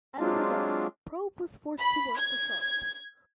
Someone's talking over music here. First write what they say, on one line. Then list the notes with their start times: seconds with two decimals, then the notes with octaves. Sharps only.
As a result, Probe was forced to work for Sharpe.
0.19 F#3 G#3 C4 D4 F4
1.78 B5
2.17 G#6